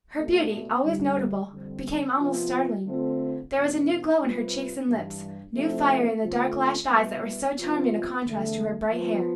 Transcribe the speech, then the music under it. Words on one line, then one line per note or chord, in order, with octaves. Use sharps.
Her beauty, always notable, became almost startling; there was a new glow in her cheeks and lips, new fire in the dark lashed eyes that were so charming a contrast to her bright hair.
B2 A3 D4
D2 D3 G3
F2 D3 G3 C4
C3 F3 B3 F4
D3 A3 C4 F4
E2 B2 B3
C3 G3 C4 F4 B4
G2 E3 G3 D4
C3 F3 A3 C4 E4
D3 A3 C4 F4
B2 G3 B3 E4 B4
C3 F3 B3 F4
E2 D3 A3
F3 B3 F4 B4